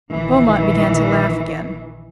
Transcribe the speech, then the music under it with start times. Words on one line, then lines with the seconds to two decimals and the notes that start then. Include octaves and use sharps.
Beaumont began to laugh again.
0.12 A#1 D#3 E3